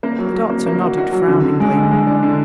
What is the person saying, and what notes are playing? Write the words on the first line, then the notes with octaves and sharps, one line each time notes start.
The doctor nodded frowningly.
A#3
F#3
F#3
A#3
A#3
F#4
F#4
F#3
D3
D3
G#3
D3
G#3
D4
D3